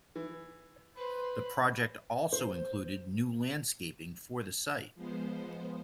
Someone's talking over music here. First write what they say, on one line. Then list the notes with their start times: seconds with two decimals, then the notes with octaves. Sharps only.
The project also included new landscaping for the site.
0.16 E3
0.97 B4 C5 B5
2.33 C5
4.95 F3 G#3 B3 C5